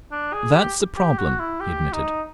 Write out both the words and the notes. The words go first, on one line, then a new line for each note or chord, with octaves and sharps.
"That's a problem," he admitted.
D4
G#4
G4
G4
F#4
E4
G4
D#4